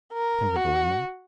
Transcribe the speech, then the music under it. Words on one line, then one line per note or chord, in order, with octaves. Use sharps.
"Can we go in there?"
A#4
F#4